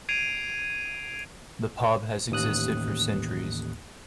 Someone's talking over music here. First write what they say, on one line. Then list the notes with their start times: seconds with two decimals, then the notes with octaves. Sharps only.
The pub has existed for centuries.
0.09 G#6 C7 D7 D#7 F7
2.31 A1 D#2 D#6 F#6